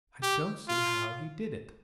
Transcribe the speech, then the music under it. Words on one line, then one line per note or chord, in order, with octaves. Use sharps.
"I don't see how he did it."
G4
F4